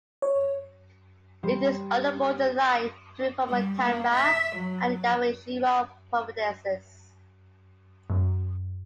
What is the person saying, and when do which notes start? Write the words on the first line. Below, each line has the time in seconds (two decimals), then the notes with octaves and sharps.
It is on the border line between former Tanba and Yamashiro providences.
0.22 C#5
1.43 G3 C5
3.49 G3
3.81 A#3
4.15 E5
4.56 F#3
8.10 F#2